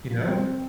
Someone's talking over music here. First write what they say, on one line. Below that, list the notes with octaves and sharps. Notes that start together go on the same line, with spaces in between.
You know?
F3
C4